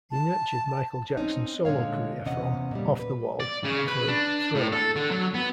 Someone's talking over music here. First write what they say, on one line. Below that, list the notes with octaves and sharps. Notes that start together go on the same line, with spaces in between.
He nurtured Michael Jackson's solo career from "Off the Wall" through "Thriller".
A5
C4 C#4 D#4
A#2 D3 G#3 C#5 F5
E2 C3 C#4 D#5 F#5
A#2 C#3 G3
B4
D5
C#3
B4
D4
A2
A4
D3
F#3
B3